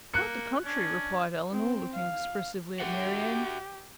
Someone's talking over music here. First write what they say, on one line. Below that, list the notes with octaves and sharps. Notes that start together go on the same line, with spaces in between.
"Quite the contrary," replied Elinor, looking expressively at Marianne.
A#3 F#6 C#7
C#4 D4
C4
F5
F#4 G4 E5 F#5